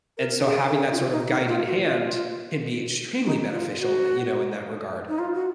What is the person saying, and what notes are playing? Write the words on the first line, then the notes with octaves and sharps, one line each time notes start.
And so, having that sort of guiding hand can be extremely beneficial, eh, you know, in that regard.
A#4
G#4
A#4
G#4
F4
D#4
D#4
F4
F#4
F4
D#4
F4
F#4
D#4
F4
F#4